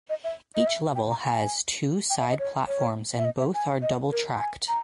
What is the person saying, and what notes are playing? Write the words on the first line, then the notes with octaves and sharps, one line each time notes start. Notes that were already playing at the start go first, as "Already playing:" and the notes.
Each level has two side platforms and both are double tracked.
D#5
E5
D#5
E5
G5
A#5
G#5
G5
E5
D#5
C#5
C#5
E5
D#5
E5
G#5
D#5
A#4
G#5
A#5